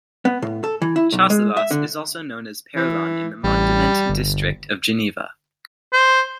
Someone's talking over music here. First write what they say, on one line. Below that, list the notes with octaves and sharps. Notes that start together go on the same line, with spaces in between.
Chasselas is also known as "Perlan" in the Mandement district of Geneva.
B3
A2
A4
E3
E4
B1
G#3
E5
D3
E3
A1 G3
G1
C5